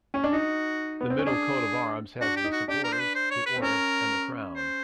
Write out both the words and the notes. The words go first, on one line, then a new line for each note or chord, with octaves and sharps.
The middle coat of arms has the supporters, the order and the crown.
C#4
D4
D#4 F#4
B3
C4
C#4
D4 G#4
D4 F#4
G4
D#4
F#4
D4 G4
A#4
C5
B4
C5
C#5
B4
C4
C#4 A#4
C5